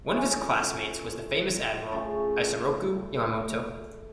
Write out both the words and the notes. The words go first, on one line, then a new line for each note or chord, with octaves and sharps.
One of his classmates was the famous admiral Isoroku Yamamoto.
E3 A3 C#4 F4 G#5
C#3 F3 A3 A5